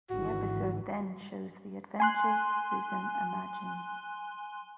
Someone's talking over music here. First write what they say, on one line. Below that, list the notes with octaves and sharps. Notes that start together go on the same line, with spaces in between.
The episode then shows the adventures Susan imagines.
G#1 D3 E3 F#4
G#5 C6 F#6